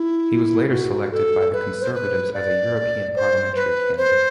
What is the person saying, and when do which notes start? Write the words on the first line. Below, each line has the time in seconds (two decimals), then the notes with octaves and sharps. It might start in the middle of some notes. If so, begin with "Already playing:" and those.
He was later selected by the Conservatives as a European parliamentary candidate.
Already playing: E4
0.71 F#4
1.12 A4
1.53 B4
1.81 C5
1.94 B4
2.34 D5
3.16 C5
3.55 B4
3.97 C5